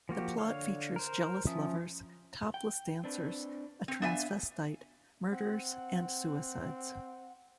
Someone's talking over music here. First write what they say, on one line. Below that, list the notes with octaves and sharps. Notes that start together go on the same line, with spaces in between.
The plot features jealous lovers, topless dancers, a transvestite, murders and suicides.
F3 A#3 F#4 G4
D3 C#5 F5
A#4 C5
F3 C#4 E5 D#6
G5
C4 D4 B4
C4
B3 D4 F4 E5 G#5
C4 F#5